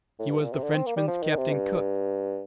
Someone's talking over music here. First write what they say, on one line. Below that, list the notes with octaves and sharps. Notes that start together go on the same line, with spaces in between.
He was the Frenchman's Captain Cook.
A2
G2
A#2
C3
D3
C4
A#3
G3
F3
D#3
C3
G2